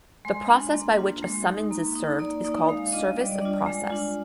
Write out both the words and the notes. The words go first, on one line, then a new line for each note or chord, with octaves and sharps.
The process by which a summons is served is called service of process.
G#3 C6
D4 F4
A#3
D4 F4
G#3
D#4
A#3
D#4
A#3 D5
D#4 D5
G#3 F5
D4 F4 D#5
G3 D5
D#5
D5
D4 F4
G#3
D4 F4